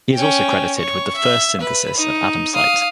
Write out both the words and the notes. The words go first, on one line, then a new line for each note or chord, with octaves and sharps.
He is also credited with the first synthesis of Adamsite.
C#4 G5
C#5 C#6
E5
B4 B5
D#4
F5 D#6